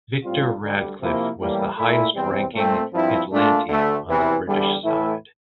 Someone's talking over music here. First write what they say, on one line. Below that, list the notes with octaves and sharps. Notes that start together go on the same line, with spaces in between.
Victor Radcliff was the highest ranking Atlantean on the British side.
A2 G3 C4 F4
D2 D3 G3
C3 F3 A#3 E4
A2 E3 G3 A#3
A#2 A3 E4
E2 C3 G3 C4
A#2 A3 C4
G2 F3 C4 E4
A#2 A3 D4 F4
D2 D3 A3
E2 C3 E3
E2 D3 G3
A2 E3 A3 E4